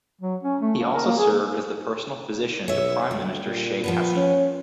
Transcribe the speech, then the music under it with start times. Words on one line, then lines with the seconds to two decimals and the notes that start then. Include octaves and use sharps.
He also served as the personal physician to Prime Minister Sheikh Hasina.
0.21 F#3
0.43 C#4
0.61 A3
0.79 A#3
0.93 A#4
1.06 A#3
1.18 G#4
2.68 B1 C#5 E5
3.11 D2 G3
3.46 A#2
3.84 F3 B3 B4
4.16 C#4